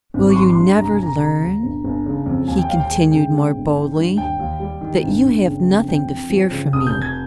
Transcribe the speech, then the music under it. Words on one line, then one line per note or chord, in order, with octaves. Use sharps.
Will you never learn,' he continued more boldly, 'that you have nothing to fear from me?
G#1
C#6
G3 C6
C6
G2
F1 A#5
G#5
F1 A#5
C#3 A#5
D#2
G1
G1
C#3
F2
D#2 G#5
G5
D#2 F5
G5
G#3 G#5
C#3 G5
G#3
G1
D#3
G2
D#2 G5
D#2
G3
D#3
G1
G1
C#3
F2
F2 G5
F2
F3
C#3
F1 D#6
G6
F1
G#6